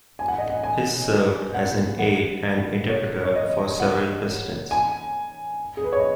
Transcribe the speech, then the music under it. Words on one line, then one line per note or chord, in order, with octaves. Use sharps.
His served as an aide and interpreter for several Presidents.
G#5
F#5
D#5
F#5
G#5
F#5
F#5
C#5
C#5
D#5
F#5
G#5
G#4
B4
C#5
D#5